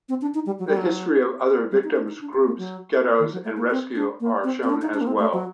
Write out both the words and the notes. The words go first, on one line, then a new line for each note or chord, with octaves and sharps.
The history of other victim groups, ghettoes and rescue are shown as well.
C4
D4
D#4
G3
F#3
G3
F#3
G3
D#4
D4
D#4
D4
C4
A#3
F#3
D#3
F#3
A3
A#3
C4
D4
A#3
C4
C4
D4
D#4
D4
A#3
C4
A3
F#3